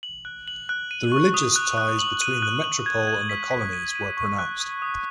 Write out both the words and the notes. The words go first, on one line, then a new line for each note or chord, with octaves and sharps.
The religious ties between the metropole and the colonies were pronounced.
F#7
F#6
F#7
F#6
D#7
C#6
D#6
F#6
F#6
F#7
D#7
F#6
F#7
G#6
G#6
B6
B6
D#7
D#7
C#6
F#6
D#6
D#6